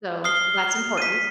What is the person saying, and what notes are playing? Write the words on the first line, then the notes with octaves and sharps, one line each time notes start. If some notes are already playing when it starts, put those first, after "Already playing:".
So, that's important.
D#6 F6 C7 G7
B6 D#7